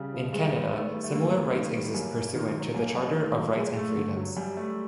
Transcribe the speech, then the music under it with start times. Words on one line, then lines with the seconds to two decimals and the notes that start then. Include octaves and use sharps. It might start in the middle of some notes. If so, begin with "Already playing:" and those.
In Canada, similar rights exist pursuant to the "Charter of Rights and Freedoms".
Already playing: C#3 G3
0.13 F3
0.33 G2 G#3
0.53 B3
0.73 D#3 A3
0.94 G3
1.04 A3
1.13 G2 A#3
1.34 B3
1.54 D#3
1.74 G3
1.94 F#2 A#3
2.15 F#2
2.35 D#3
2.55 F#3
2.75 F#2 A#3
2.95 F#2
3.15 D#3 A3
3.35 F#3
3.55 F#2 G#3
3.77 A3
3.96 D3
4.17 F#3
4.36 F#2 G3
4.57 A3